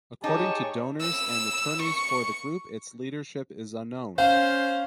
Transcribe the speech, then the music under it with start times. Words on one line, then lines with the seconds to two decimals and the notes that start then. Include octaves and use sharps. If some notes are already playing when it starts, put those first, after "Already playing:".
According to donors and attorneys for the group its leadership is unknown.
0.24 D#4 G4 G#4 C#5 A5
1.01 E6
1.83 C#6
4.18 C#4 C5 F5